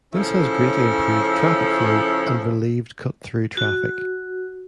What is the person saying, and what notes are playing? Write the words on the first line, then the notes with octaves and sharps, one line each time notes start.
This has greatly improved traffic flow and relieved cut through traffic.
C#3 F3 C#4 E4 A4
F#4